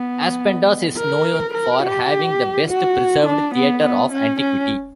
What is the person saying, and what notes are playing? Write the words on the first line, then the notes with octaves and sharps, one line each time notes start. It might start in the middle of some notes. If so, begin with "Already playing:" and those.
Aspendos is known for having the best-preserved theatre of antiquity.
Already playing: B3
A#4
A#4
G4
F#4
D4
B3
B3
C#4
C#4